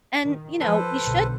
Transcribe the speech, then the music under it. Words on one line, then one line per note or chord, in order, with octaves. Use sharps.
and, you know, you should
D#3
F3 A4 B4 C5
B1 D3